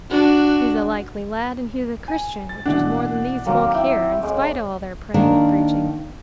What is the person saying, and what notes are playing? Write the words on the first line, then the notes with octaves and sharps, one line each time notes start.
He's a likely lad, and he's a Christian, which is more than these folk here, in spite o' all their praying and preaching.
D4 F#4
G#5
A6
B2 E3 D4 F#5
D#3 F#3 A#3 C4 G4
E4 G5
A2 C#3 G#3
D#3 A#3 D4 A#4